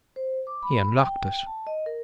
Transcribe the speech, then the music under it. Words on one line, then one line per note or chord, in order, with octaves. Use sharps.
He unlocked it.
C5
D6
B5
G5
A5
D#5
A#4